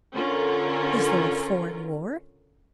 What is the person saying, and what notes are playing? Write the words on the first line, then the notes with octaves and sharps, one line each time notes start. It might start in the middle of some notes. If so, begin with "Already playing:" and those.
Is there a foreign war?
D3 C#4 F4 A#4